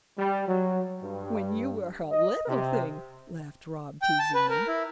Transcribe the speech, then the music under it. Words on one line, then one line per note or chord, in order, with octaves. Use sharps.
"When you were a little thing!" laughed Rob, teasingly.
G3
F#3
G2
D#5
C3
G5
A5
B4
A#4
E4